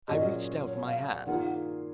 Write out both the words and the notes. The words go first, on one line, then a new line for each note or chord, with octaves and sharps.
I reached out my hand.
A#2 F#3 C#4 G#4 D#5
C#5
F5
F#5
D#3 A#3 F4 G#4 F#5